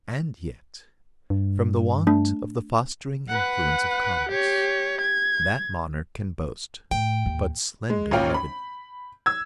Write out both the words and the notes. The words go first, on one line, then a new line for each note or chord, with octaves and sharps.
And yet, from the want of the fostering influence of commerce, that monarch can boast but slender revenues.
G2
A3 D4
B4 F#5
G4 C#5
G#6
A2 G5
D#2
G#3
G#1 A#2 C#4 F5 G5
B5
E6 G#6